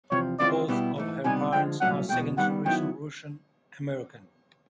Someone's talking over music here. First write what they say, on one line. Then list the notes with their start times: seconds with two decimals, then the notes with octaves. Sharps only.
Both of her parents are second-generation Russian American.
0.11 E2 C3 F3 C#5
0.39 C#3 E3 G#3 C4 F4 D5
0.68 B2 G3 B3 E4 G4
0.96 G#2 E3 A3
1.24 C#2 C3 D#3 G3 B3 G#5
1.52 D3 F3 G#3 G5
1.81 C2 A#2 F#3 A3 C#4 F#5
2.09 E2 B2 G#3 G5
2.37 G2 D#3 G3 B3 F#5
2.66 D#3 F#3 B3 E4 G5